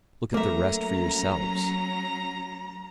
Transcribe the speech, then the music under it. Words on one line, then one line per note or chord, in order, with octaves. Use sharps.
Look at the rest for yourselves.
F#3 A3 A#3 C#4 E5 A#5